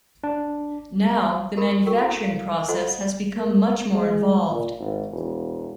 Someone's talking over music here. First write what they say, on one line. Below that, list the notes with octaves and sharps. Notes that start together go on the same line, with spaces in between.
Now, the manufacturing process has become much more involved.
D4
G4 A#4 B5 D#6
F#4 A4 A#4 G5 C#6 E6
E4
F5
F4 A4 C5 D#5 F#5 C6
A#3
G#3
A#2
G#1
E1